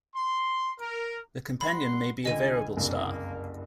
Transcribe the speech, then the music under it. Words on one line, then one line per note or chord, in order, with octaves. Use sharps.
The companion may be a variable star.
C6
A#4
G3 F#5 B5 C6
C#2 D3 D#5 G#5 D#7
F#1 C2 G2 A#3